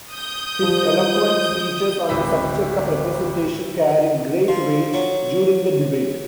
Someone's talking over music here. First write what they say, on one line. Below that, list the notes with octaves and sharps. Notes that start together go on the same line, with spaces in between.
His eloquent speeches on the subject of representation carried great weight during the debate.
D#6 G6
F3 G3
D1 G#1 E5 B5
F3
F#3